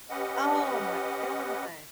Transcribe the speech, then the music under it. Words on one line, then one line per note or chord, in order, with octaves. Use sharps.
Oh my god!
C#4 G4 B4 D#5 F#5